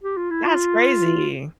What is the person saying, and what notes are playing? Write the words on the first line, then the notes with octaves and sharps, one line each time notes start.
That's crazy.
G4
F4
E4
F4